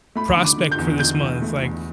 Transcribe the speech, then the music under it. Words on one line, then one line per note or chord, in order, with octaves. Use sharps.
prospect for this month, like,
A3 B5
D3
D6
D3
G6
E2
D3 G6
E2
A3
E2